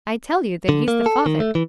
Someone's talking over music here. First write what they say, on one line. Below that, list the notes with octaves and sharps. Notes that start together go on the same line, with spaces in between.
"I tell you that he's the father."
D3
A#3
A4
D#3
A3
E3